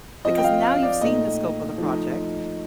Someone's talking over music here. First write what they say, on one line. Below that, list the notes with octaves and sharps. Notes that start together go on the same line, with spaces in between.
Because now you've seen the scope of the project,
F3 C4 F4 D#5
G5
F5
F5
D5
A#2 A3 D#4 D#5
F3 A3 D#4